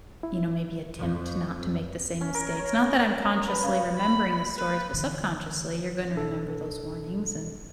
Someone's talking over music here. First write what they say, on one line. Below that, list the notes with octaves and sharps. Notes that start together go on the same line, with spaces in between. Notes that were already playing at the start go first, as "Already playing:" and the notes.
you know, maybe attempt not to make the same mistakes. Not that I'm consciously remembering the stories, but subconsciously, you're gonna remember those warnings and
E4
F2
C#4
A#4
C#5
C#4
A#5
B4
C#3
B5
B4
D3 E3
B2 D4 A4